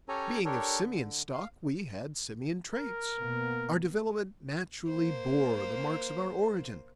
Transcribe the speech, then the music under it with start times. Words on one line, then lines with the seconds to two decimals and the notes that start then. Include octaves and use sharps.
Being of simian stock, we had simian traits. Our development naturally bore the marks of our origin.
0.09 C#4 G4 A4 C#5 G#5 A#5
0.45 D4 G4 A4 A#4 C#5
0.81 D3
1.33 F5
2.74 A#4
3.18 B2 A#3 B3
4.88 A#3 C5